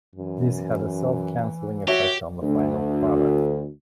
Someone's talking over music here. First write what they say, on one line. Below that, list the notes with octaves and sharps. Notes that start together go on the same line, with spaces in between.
This had a self-canceling effect on the final product.
F#2 E3
F#4 G4 C#5 E5
D2